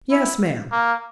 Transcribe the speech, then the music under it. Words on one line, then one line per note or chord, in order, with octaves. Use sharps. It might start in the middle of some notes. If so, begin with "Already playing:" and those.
"Yes, ma'am."
E4
A#3